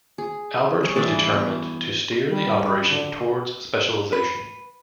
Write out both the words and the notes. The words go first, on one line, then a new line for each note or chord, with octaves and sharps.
Albert was determined to steer the operation towards specialization.
G#4
G3 G#4 C#5
E3 D4 E4 D5
B3 C#6
G3
D3
B4